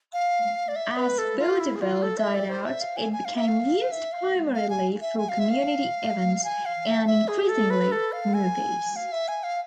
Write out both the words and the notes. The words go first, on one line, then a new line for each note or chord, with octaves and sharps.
As vaudeville died out, it became used primarily for community events, and increasingly, movies.
F5
D5
E5
B4
A4
F4
E4
G#4
F4
A4
E5
D5
C5
E5
F5
G#5
G#5
F5
E5
F5
E5
F5
F5
G#5
E5
G#5
F5
E5
F5
G#5
F5
E5
E5
G#4
A4
B4
A4
F5
G#5
F5
E5
G#5
F5